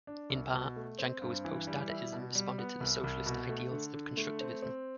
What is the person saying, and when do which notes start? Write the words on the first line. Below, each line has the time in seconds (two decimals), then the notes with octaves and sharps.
In part, Janco's post-Dadaism responded to the socialist ideals of Constructivism.
0.07 D4
0.30 C2
0.53 B2
0.76 A3
0.99 C4
1.22 G2
1.45 E3
1.67 G3
1.89 E4
2.13 B2
2.35 G3
2.58 B3
2.81 C2
3.04 C2
3.26 B2
3.49 A3
3.71 D3
3.94 D3
4.17 A3
4.41 C4
4.62 C4